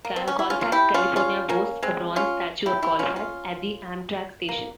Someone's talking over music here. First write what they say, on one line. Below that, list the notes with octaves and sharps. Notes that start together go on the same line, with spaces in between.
Colfax, California boasts a bronze statue of Colfax, at the Amtrak station.
A#3
C4
C#4
E4
C#4 F4
F4
E4 G4
C#4 F4
C#4 F4
A#3 C#4
G#3 C4
C#4 F4
E4 G4
E4 G4
C#4 F4
C#4 F4
A#3